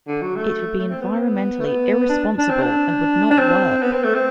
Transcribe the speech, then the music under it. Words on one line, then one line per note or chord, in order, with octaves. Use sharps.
It would be environmentally irresponsible - and would not work.
D3
F#3
A3
A3
C4
B3
C4
B3
A3
B3
D4
D4
C4
D4
D4
C4
B3
C4
A3
C4